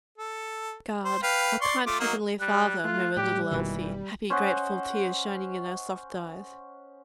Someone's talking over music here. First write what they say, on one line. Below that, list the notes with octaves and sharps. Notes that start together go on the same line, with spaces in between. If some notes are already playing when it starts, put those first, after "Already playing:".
"God, our kind heavenly Father," murmured little Elsie, happy, grateful tears shining in her soft eyes.
A4
C5
B4 F5 G5
D5 C6 C#6
A3 F4 D6
F#3 A#3 D#4
G3 F#6
A3 F4
A2 G3 G4
F#1 B2 D#3 E3
C#4 C5 D#5 F#5